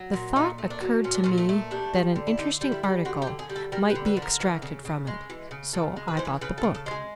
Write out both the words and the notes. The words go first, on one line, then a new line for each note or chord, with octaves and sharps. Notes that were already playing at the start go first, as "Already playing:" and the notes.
The thought occurred to me that an interesting article might be extracted from it, so I bought the book.
Already playing: F#3
A#2
A#2 D#4
A3
D4
F#3
A#2 C#4
D4
A#2 C#4
A3
A3
G3 D4
G3
D3
E4
D3 D#4
G3
E4
G3
D3 F#4
G4
D3
G#4
G3
A4
G3 A#4
B4
D3
B4
D3
A#4
E3
C#3
C#3
G#3
E3
C#3
C#3 A4
G#3
B4
E3 C5
B4
C#3 B4
A4
C#3
A4
G#3 G#4